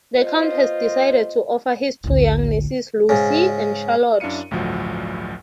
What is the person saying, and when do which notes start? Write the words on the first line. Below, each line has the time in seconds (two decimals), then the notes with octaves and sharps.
The count has decided to offer his two young nieces, Lucy and Charlotte.
0.16 B3 F4 C5 D#5
2.04 A1 D2
3.09 G#2 C#3
4.20 F#2 D4 E4 F5 C#7 D#7
4.51 A1 D2 G2 F3 F#3